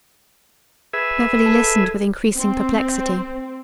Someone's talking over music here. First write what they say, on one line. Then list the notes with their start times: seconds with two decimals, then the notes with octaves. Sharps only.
Beverly listened with increasing perplexity.
0.93 G#4 B4 E5
1.46 A4
2.36 C4